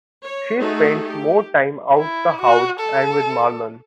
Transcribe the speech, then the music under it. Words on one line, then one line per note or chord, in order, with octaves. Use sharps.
She spends more time out the house and with Marlon.
C#5
A3 D#4 F#4 G#4 A4
G4
E4
F#4
A4